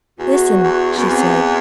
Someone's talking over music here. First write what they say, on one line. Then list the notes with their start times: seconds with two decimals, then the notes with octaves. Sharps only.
"Listen," she said.
0.18 E2 F#4
0.63 E2
0.95 F#2 B3
1.08 E2 C4